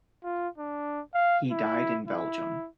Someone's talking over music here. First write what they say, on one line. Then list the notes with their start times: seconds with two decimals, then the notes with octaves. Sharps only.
He died in Belgium.
0.24 F4
0.58 D4
1.14 F5
1.51 E4
2.08 E4